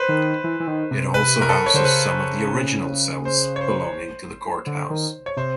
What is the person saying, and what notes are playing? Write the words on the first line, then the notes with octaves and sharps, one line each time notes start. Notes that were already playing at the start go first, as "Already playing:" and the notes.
It also houses some of the original cells belonging to the Courthouse.
Already playing: B4 C5
D#3
E3
E3
D#3
C3
B4
A#4
A4
C#5
D3 C5
C#3 B4
C5
C#5
C5
D3
D#3
C#5
C3 C5